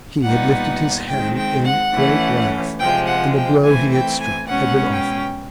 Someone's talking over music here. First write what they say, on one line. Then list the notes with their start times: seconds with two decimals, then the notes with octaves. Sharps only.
He had lifted his hand in great wrath, and the blow he had struck had been awful.
0.22 A#2 G3 B3 D#4 F#5
1.07 D#3 G#3 C4 G5
1.36 G5
1.64 F#5
1.93 E3 A3 C#4
2.78 C3 F3 G#3 G5
3.07 F#5
3.35 G5
3.64 E3 A3 C4 G#5
3.92 G5
4.21 G#5
4.49 B2 G#3 C#4 F#5
4.92 G5